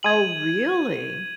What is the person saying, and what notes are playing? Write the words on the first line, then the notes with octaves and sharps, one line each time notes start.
Oh, really?
G#6 D#7 F#7